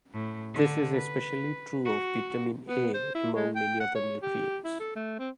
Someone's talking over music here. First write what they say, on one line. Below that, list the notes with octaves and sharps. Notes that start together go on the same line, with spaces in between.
This is especially true of vitamin A, among many other nutrients.
A2
D3
B4
F#4
B3
C5
E4
G#3
G5
F#5
C#5
G4
E4
A4
A3
C4